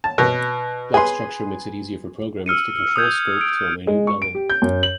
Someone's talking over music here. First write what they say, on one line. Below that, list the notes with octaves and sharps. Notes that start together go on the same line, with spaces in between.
Block structure makes it easier for programmers to control scope to a minute level.
A5
B2
G#4 B4 C6
E6 F6 C#7 D#7
D#6 E6 G6 G#6
D7
G#3
C#6
D7
G4
G6
F#2
F#7